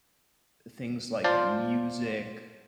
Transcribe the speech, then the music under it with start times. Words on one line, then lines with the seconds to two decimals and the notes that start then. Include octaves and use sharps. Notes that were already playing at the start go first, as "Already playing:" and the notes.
things like music
1.24 F4 C5 D5 A5